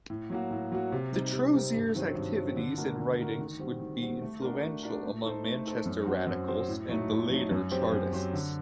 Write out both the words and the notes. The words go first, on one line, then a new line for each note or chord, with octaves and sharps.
Detrosier's activities and writings would be influential amongst Manchester Radicals and the later Chartists.
A2
F#3 A#3 F#4
A2
F#3 A#3 F#4
C3
G3 C4 D#4
C3
G3 C4 D#4
G2
D#3 F#3 C4
G2
D#3 F#3 C4
D3
A3 D4 F#4 A#4
D3
A3 D4 F#4 A#4
D#3
G3 C4 F#4
D#3
G3 C4 F#4
A3
D4 F#4 A#4
A3
D4 F#4 A#4
A3
D#4 A4 C5
A3
D#4 A4 C5
F#2
F#3 C4 F#4 C5
F#2
F#3 C4 F#4 C5
A2
F#3 A3 D#4
A2
F#3 A3 D#4
F#2
F#3 C4 G4 C5
F#2
F#3 C4 G4 C5
D3